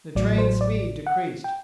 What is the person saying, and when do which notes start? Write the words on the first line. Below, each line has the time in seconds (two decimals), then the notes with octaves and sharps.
The train's speed decreased.
0.15 A1 A2 F#3 D5
0.38 C5
0.61 D5
1.06 F#5
1.44 G5